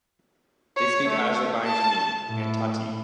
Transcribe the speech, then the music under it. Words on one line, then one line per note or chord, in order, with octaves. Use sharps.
They speak Azerbaijani and Tati.
C#5
A3
A5
A2